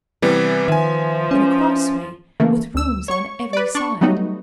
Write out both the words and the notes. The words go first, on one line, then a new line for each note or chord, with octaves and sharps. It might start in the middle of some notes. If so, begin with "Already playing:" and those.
Then a crossway, with rooms on every side.
C3 E3 G3 B3
D#3 F3 E5 G#5
C#4
C#3 E3 A3 A#3
D2 E6
C#5 C#6
B4 D5
D4 C#6
F#3 G3 A3 B3 D#4 F#4